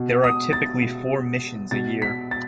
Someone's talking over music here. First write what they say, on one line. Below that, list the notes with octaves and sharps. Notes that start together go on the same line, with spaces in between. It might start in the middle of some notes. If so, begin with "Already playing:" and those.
There are typically four missions a year.
Already playing: B2
D#6
A6
B2
B2 A6
B6
A6